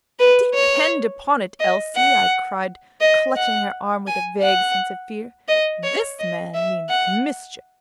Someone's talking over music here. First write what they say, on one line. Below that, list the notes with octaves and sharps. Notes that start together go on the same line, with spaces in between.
'Depend upon it, Elsie,' I cried, clutching her arm with a vague sense of fear, 'this man means mischief.
B4
C#5
D#5
F#5
D#5
F#5
G#5
F#5
D#5
C#5
D#5
E5
F#5